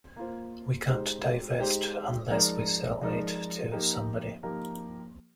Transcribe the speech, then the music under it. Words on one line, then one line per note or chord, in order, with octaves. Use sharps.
We can't divest unless we sell it to somebody.
A#3 F4 C5
G#3 D#4 G4 C5
G#3 D#4 G4 C5
F3 G#3 D#4 A#4 D5
F3 G#3 D#4 A#4 D5
F3 A#3 D#4 G4 A#4
F3 A#3 D#4 G4 A#4